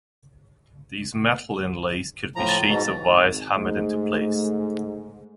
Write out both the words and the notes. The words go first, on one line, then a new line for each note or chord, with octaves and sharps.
These metal inlays could be sheets or wires hammered into place.
A2 F3 A#5
A6
G#2 B2
G#1
G#2 A3